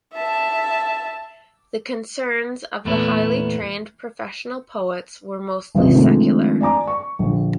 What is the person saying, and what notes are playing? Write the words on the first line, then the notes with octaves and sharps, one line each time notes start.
The concerns of the highly trained professional poets were mostly secular.
E5 A5
E2 A#2 A3 B3 E4
G#1 E2 C3 F3 C#4 D#5
D#3 F3 G#3 A3 C4 D4
D5 G#5 A#5 D6
C#6
A#1 D3